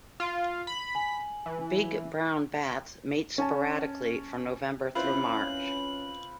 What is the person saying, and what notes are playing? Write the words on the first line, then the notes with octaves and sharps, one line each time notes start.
Big brown bats mate sporadically from November through March.
F4
B5
G#5 F#7
E3
C#4 G#5 A5
C4 C#4 E4 F4 B4 F#7